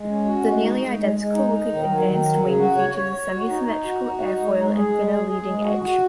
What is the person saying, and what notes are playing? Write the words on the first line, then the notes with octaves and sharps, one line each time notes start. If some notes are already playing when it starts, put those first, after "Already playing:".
The nearly identical-looking "advanced" wing features a semi-symmetrical airfoil and thinner leading edge.
Already playing: G#3
C#4
F#4
G#3
D#4
G#3
G#3
G#3
D#4
D#4
D#3
F#3
D#3
F#3
C#3
F#4
C#5
C#5
C#5
F#4
D#4
D#4
F#4
F#4
D#4
G#3
G#3
G#4
G#3
G#4
G#4
G#3
F#4
F#4